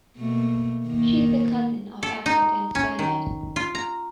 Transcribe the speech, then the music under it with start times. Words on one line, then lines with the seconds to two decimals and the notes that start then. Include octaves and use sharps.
She is the cousin of actor Denis Bernard.
0.17 B2 A3 A#3
0.86 D#3 A#3
2.03 A4
2.26 D#4
2.75 C#4
2.99 D#3
3.56 F4
3.75 A#5